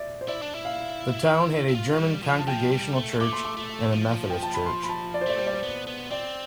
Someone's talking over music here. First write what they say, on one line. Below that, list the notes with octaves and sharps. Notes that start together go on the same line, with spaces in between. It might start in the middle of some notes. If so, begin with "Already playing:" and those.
The town had a German Congregational church and a Methodist church.
Already playing: D5 E5
C5
E4 D5
D4
E4
F5
E4
F4
G3
F3
A5
F3 G5
G3
A3
A3 D6
C6
D6
A3
F3
G5
A5
B5
C6
B5
A5
D5
C5
A3 D5
G3 C5
D5
C5
B3
B3
C4 D5